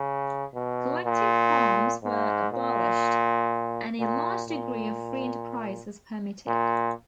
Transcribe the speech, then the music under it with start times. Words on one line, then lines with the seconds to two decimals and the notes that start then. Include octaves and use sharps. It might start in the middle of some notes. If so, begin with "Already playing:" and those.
Collective farms were abolished, and a large degree of free enterprise was permitted.
Already playing: C#3
0.54 B2
1.05 A#2
2.03 G#2
2.52 A#2
3.99 A#2
4.49 A#2
6.47 A#2